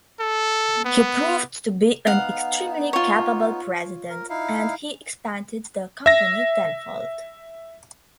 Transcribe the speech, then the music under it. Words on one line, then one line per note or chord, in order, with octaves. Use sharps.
He proved to be an extremely capable president, and he expanded the company tenfold.
A4
B3
B3 D#4 F5 F#5
F4 C#5
A#4
D#4 E4 F5
E5 A#6